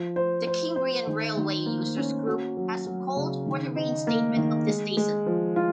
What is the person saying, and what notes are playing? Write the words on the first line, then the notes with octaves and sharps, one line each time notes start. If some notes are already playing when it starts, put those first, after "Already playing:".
The Cambrian railway users group has called for the reinstatement of this station.
Already playing: F3
C5
C5
C5
D#3
D#3
A#3
C#4
F#4
F#3
F#3
C#3
D#3
D#4
A#3
D#3
G#3
G#3
F3
F4